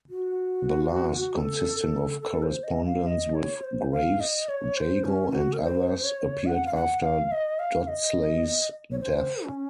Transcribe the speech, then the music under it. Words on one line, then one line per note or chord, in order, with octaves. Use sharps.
The last, consisting of correspondence with Graves, Jago and others, appeared after Dodsley's death.
F#4
A4
A4
A4
C5
D#5
F5
D#5
C#5
C5
F5
D#5
C#5
C5
C#4
F#4
A#4
C5
C#5
F#5
F5
F#5
F5
D#5
F5
D#5
C#5
C5
C#4